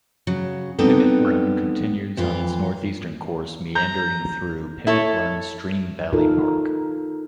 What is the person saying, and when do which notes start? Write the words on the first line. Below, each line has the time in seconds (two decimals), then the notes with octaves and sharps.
Pimmit Run continues on its northeastern course meandering through Pimmit Run Stream Valley Park.
0.27 C#3 F#3
0.79 G3 B3 C4 D4 D#4 A4
2.17 F2 E3 F4
3.75 A#5 G6
4.87 E4 A4 C#5
6.13 D#4 F4 A4 A#4